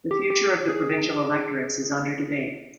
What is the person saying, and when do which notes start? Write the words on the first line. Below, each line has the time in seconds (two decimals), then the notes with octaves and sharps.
The future of the provincial electorates is under debate.
0.11 G4
0.30 G4
0.69 G#4